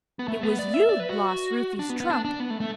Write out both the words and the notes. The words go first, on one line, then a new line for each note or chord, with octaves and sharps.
It was you lost Ruthie's trunk.
B3
A3
B3
D5
E5
D5
B4
F#4
D4
B3
B3
D4
D4
B3
A3
A3